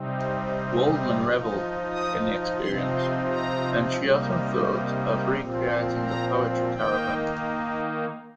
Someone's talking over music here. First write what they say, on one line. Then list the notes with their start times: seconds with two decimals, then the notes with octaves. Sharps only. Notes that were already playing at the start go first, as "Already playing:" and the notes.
Waldman reveled in the experience, and she often thought of recreating the poetry caravan.
Already playing: C3 G3 C4 D#4
1.24 F3 D#4
1.92 D#6
2.61 C3 F3 C4 D#4 C6
2.96 C6
3.30 A#5
3.98 C3 G3 A#3 D#4
5.35 A#2 F3 C4
6.05 A#5
6.73 D#3 A#3 D#4 G5